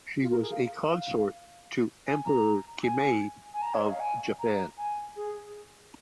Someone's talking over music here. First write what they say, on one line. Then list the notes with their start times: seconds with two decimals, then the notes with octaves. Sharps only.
She was a consort to Emperor Kinmei of Japan.
0.22 F4
0.31 A#4
0.42 G#4
0.51 F5
0.89 F5
2.07 G#5
2.25 A#5
2.84 G#5
3.54 G#5
3.62 A#5
3.74 C#5
3.83 D#5
3.91 F5
4.00 G#5
4.39 A#5
4.78 G#5
5.16 G#4